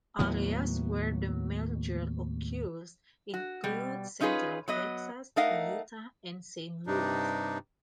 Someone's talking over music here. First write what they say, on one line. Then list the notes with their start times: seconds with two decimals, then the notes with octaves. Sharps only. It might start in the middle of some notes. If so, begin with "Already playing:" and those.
Areas where the merger occurs include central Texas, Utah, and Saint Louis.
0.19 D#2 A2 F#3 B3
3.34 F#4
3.64 B2 G3
4.21 C#4 D#4 F4 G#4 B4
4.68 F#3 B3 D#5
5.36 A3 D#4 A#4 D#5 F5 F#5
6.87 G2 C3 D4 D#4